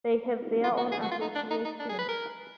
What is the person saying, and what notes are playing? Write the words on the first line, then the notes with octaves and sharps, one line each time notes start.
They have their own association.
F4
F#4
G#4
F#4
F4
D#4
D4
D#4
D#4
D4
G#4
B4
A#4